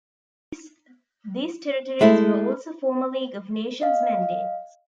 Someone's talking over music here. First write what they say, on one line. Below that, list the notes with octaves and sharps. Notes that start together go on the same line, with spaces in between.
These territories were also former League of Nations mandates.
G#3 A3 E4
D#5 F5